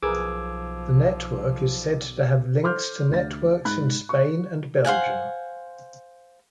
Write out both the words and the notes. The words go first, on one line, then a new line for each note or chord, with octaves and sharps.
The network is said to have links to networks in Spain and Belgium.
B1 F3 G#4 A#4 B4 D6 E6 G#6
A4 C5 C6 D6 F6 G6
D2 A6
G#2 B5 F#6
C#6
C5 F5 F#5 G#5